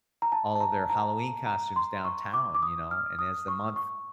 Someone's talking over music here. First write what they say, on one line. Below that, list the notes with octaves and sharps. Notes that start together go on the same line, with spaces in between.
all of their Halloween costumes downtown, you know, and as the month
A#5
A5
A5
A#5
A#5
A#5
C6
C#6
D6
D6
D#6
F6
D#6
C#6
C#6